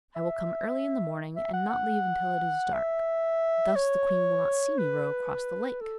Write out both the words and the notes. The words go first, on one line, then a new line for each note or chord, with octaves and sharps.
I will come early in the morning and not leave until it is dark; thus the queen will not see me row across the lake.'
E5
E5
F#5
F#5
E5
C#5
B4
A4